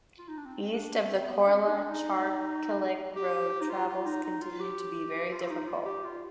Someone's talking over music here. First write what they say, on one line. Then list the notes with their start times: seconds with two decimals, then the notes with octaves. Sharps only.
East of the Korla-Charkilik road travel continues to be very difficult.
0.19 F4
0.28 D#4
0.37 D4
0.46 C4
0.73 D4
0.99 C4
1.19 C4
1.27 B3
1.46 D4
1.53 C4
1.67 D#4
1.71 D4
1.90 D#4
3.16 G4
3.61 D#4
3.70 F4
3.88 F4
4.05 D#4
4.24 D#4
4.42 F4
4.60 G4
5.32 F4
5.43 F4
5.50 D#4
5.68 F4
5.85 G4
6.04 F4